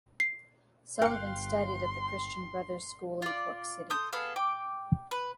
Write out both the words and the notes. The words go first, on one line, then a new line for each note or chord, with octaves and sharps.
Sullivan studied at the Christian Brothers school in Cork city.
C7
G1 A#4 F5 G5 C6 F#6 C#7
F4 D5
A4 C6 D#6 G6
B3 G#4 A4 F5
G5 D6
B4